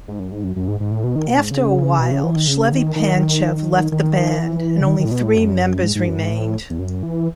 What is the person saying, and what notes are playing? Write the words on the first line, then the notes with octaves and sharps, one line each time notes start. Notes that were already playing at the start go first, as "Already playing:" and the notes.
After a while, Shlevi Panchev left the band and only three members remained.
G#2
F#2
G#2
F#2
F#2
G#2
G#2
A2
B2
D#3
B2
G#2
C#3
B2
C#3
E3
D#3
C#3
D#3
D#3
D#3
E3
C#3
D#3
D#3
A2
B2
A2
F#2
G#2
G#2
F#2
G#2
A2
E2
F#2
E3